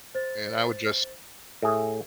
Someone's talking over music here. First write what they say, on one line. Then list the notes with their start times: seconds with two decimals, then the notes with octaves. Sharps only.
and I would just
0.15 C5 A6
1.62 A2 G#4 E5